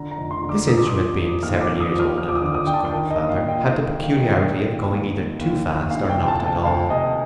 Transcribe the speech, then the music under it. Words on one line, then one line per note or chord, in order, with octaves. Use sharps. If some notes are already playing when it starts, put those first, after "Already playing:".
This instrument being several years older than Oak's grandfather, had the peculiarity of going either too fast or not at all.
Already playing: D3 A#5
A#5
F1
C6
D3
D6
F3 D#6
D6
D#6
F3
F3
D#2 F6
D6
F3
D#6
F3
F6
F3 F6
D6
D#6
D3
D#6
D3 G5
A5
D#3 G5
D#5
D#2
F5
D#2
G5
D#2 F5
F5
D#2
F5
D#3
G5
F5
D#2 G5
D#2
D#2
D#2
D#2
D#2
D2 F5
G5
C3
G5
A5
D2
G5
D2 F5
C3 D#5